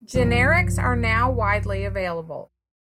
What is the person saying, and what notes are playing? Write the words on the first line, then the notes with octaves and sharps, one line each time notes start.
Generics are now widely available.
B1 G2 F3